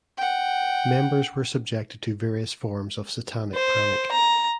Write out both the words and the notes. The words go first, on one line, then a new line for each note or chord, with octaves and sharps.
Members were subjected to various forms of Satanic panic.
F#5 G5
C5
A#5